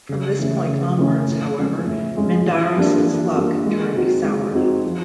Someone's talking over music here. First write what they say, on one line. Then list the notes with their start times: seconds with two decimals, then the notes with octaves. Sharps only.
From this point onwards, however, Mindarus' luck turned sour.
0.09 C#3
0.39 E3 A3 C#4
0.68 C#3
0.98 E3 A3 C#4
1.28 A2
1.58 F3 G#3 C#4
1.87 A2
2.16 F3 G#3 C#4
2.46 E3
2.76 G3 A#3 D4 F4
3.06 E3
3.36 G3 A#3 D4 F4
3.66 G#3
3.95 C4 D#4 F#4
4.24 G#3
4.54 C4 D#4 F#4
4.84 F3